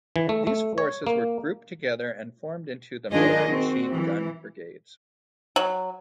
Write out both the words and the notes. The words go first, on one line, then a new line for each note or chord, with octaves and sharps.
These forces were grouped together and formed into the motor machine gun brigades.
E3
A3
A3
C#5
A#3
D#3 D4 F4 G#4 D#5
C4 F#4
E3
F#3